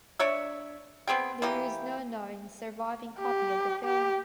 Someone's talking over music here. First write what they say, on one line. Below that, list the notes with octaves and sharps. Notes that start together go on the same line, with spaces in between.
There is no known surviving copy of the film.
D4 C#5 E5
B3 C4 G#4 G5
E3 A#3 G4
G4
G4